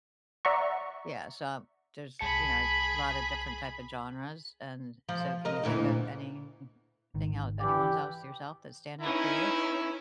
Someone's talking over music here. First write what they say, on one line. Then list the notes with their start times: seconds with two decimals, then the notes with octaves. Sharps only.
yeah so there's, you know, a lotta different type of genres, and so, can you think of anything el anyone's else yourself that stand out for you?
0.45 D5 E5 F#5 A#5 C#6
2.19 C2 G#4 A5 B5 C#7
5.09 F3
5.45 A#4 D#5
5.63 D2 A#2 E3
7.14 G#1 C#2 D#3
7.60 E3 G4 D5
9.00 C#4 D#4 E4 B4